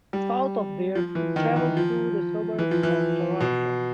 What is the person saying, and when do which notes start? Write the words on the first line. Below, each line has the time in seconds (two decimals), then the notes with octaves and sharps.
South of there, it travelled through the suburbs of Toronto.
0.13 G3
0.95 F3
1.15 E3
1.36 D#3
1.56 E3
1.77 F3
2.59 E3
2.71 F3
2.83 E3
3.40 B2